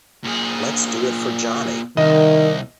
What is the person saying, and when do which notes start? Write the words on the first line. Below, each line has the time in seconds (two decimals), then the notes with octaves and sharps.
Let's Do It for Johnny!!
0.24 A#2 G#4
1.97 C2 D#3 D#5